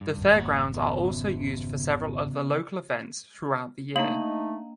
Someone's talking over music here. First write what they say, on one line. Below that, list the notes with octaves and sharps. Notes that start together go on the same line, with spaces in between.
The fairgrounds are also used for several other local events throughout the year.
G2
G#1 F2
A#3 C#5 F#5
C#3 B3
A3 A#3 D4 D#4 F5 A#5 F#7